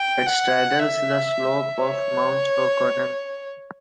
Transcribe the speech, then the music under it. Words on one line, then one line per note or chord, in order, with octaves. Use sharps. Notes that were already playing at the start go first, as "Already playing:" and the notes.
It straddles the slopes of Mount O'Connell.
Already playing: G5
F#5
E5
C#5